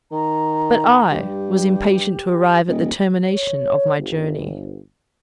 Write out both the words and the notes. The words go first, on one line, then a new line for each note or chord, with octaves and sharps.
But I was impatient to arrive at the termination of my journey.
D#3 A#5
G2 G4
D#1 D#5
C#5
G1